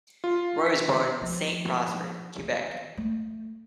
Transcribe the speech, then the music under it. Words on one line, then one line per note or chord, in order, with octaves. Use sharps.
Roy was born in Saint-Prosper, Quebec.
F4
B6
F3
D#3
A3